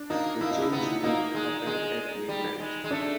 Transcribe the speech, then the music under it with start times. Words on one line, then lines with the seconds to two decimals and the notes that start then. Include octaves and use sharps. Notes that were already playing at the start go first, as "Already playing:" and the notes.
The change would happen at midnight.
Already playing: D4
0.10 A#3 D#4
0.41 A#3 E4
0.51 D#4
0.62 E4
0.72 B3
1.04 A#3 D#4
1.35 G#3
1.66 G#3
2.29 G3
2.60 G#3
2.84 G#3
2.91 A3 D4